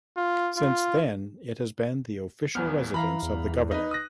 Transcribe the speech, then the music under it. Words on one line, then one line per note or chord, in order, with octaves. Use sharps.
Since then it has been the official residence of the governor.
F4
F4
D#1 E2 B3 F6
E3 F5 A#5 B5
E2
D#4 B4
D#6 F#6 A#6